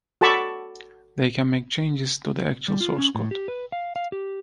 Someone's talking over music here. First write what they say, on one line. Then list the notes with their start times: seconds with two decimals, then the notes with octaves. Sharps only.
They can make changes to the actual source code.
0.21 F#4 A4 A5 B5 C#6 D6
2.68 G3
2.81 F4
2.98 C#4
3.15 A2
3.31 G4
3.48 B4
3.72 F5
3.96 F5
4.12 G4